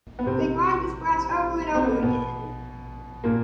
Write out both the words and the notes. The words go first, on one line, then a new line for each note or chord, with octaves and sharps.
They grind this brass over and over again.
B3
C3 C4
C4
B3
A#3
B2 B3
A#2 A#3